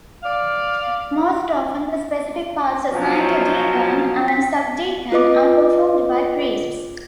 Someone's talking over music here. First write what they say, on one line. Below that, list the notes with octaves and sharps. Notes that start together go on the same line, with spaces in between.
Most often the specific parts assigned to deacon and subdeacon are performed by priests.
D5 F5
B2 F3 F#3 C#4
B6
F4 B4 D#5 D6